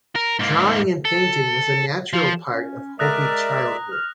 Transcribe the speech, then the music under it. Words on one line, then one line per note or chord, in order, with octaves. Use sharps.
Drawing and painting was a natural part of Hopi childhood.
A#4
G#2 A#3
A4
F3
C#4
G#3 A#4 D5 E5 A#5 D#6 F#6 A#6
F6